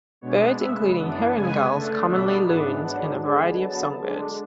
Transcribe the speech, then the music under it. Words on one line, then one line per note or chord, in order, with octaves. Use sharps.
Birds include herring gulls, common loons, and a variety of songbirds.
B2 G#3 B3 D4 C#5
C#3 G#3 B3 E5
F#2 E3 B3 D4
C#3 G#3 B3 G#5
D3 A3 D4
B2 F#3 B3 D4 E5
G#2 E3 B3 D4 F#5
G#2 F#3 B3 D4 F#5
D3 G#3 B3 D4 G#5
D3 F#3 B3 A5
D3 G#3 D4